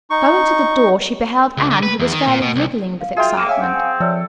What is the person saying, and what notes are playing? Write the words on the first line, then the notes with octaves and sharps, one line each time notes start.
Going to the door she beheld Anne who was fairly wriggling with excitement.
D#4 C#6
C#2
D3
B4
E2
D#3
A#2
B2
C2
F5
F4 F#4 G#4 E5 G5 C6
A#3 C#6 D6 F6 D#7 E7
C#5 E5 F5 G#5
C4 F#5
F3 A4 C#5 D5 E5